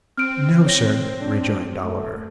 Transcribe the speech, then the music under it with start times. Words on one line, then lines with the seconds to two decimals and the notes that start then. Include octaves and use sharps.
'No, sir,' rejoined Oliver.
0.17 C4 F6 D7
0.67 C#5 A#6
1.21 D4
1.84 A3